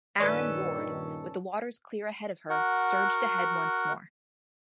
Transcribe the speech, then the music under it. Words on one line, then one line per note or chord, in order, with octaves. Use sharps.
"Aaron Ward", with the waters clear ahead of her, surged ahead once more.
G2 A#2 D#3 C#4 A4 B4 D5
F#4 A#4 F#5